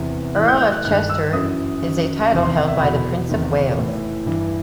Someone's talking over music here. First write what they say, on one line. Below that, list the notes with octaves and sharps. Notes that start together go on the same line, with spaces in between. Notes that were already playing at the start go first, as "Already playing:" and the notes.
Earl of Chester is a title held by the Prince of Wales.
Already playing: E2 C3 E3
A2 E3 F#6
G6
G6
F#6
G2 D#3 F#6
E6
F#2 E3 D#6
F#2 D#3
E2 C3 D#3
C6
E5
E5
E2 B2 B5
E2 C3 D#3
A2 E3
G2 E3